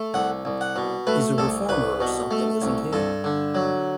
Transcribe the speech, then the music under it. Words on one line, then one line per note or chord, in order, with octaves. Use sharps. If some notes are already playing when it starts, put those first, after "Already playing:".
He's a reformer or something, isn't he?
Already playing: A3
C2 F#5
C2
F#5
B2
A3 B4
C2 A4
C2 B4
B2
A3
C2
G2 A4
D3
F#3